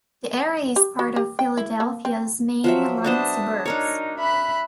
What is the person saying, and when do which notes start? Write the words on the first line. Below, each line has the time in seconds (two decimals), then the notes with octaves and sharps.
The area is part of Philadelphia's Main Line suburbs.
0.76 G4
0.99 F#4
1.16 G4
1.39 G5
1.57 E4
1.80 A#3
2.05 C4
2.64 F3 F#3 E5
3.04 B3 D4 C5 E5 A5 D#6
3.66 D4 D#4 A#4 C#5
4.19 E5 B5 F#6